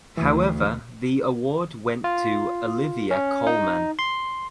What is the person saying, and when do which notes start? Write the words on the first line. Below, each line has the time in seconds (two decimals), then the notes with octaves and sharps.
However the award went to Olivia Colman.
0.17 D2 E3
2.04 F4
3.11 C#4
3.47 D#4
3.99 C6